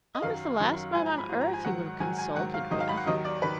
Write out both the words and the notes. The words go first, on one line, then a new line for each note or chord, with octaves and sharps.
I was the last man on earth he would have consulted with.
D#5
F#2 D#3 F#3 F5
F#2 D#3 F#3
G#2 F3 G#5
A#5
B5
G#2 F3
A#5
G#5
G#2 D#3 F#3 F#5
G#2 D#3 F#3 G#5
G#5
G#2 D#3 F#3 F#5
F5
G#2 D#3 F#3 D#5
F5
B5
F#5
D#2 D#3 F#3 D#5
D5
D#3 B4